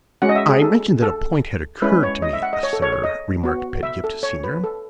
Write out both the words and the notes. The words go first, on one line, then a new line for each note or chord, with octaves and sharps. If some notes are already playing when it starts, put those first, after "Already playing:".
"I mentioned that a point had occurred to me, sir," remarked Pedgift Senior.
G#3 C#4 F#4 F#5
D#5
E5
G#4
A4
A4
G#3 C#4 E4 B4
C#5
D#5
E5
F#5
D#5
C#5
A4
C#5
C#5
D#5
B3 F#4
E5
A4
C#5
B4
A4